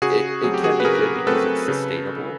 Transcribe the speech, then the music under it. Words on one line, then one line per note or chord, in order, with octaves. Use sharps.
it it can be good because it's sustainable,
C#3 F#4 G#4
F#3 A3 C4 G#4
G4
F#4 G#4
B4
C#3 G#4 A#4
F#3 A3 C4 A4 B4
C#3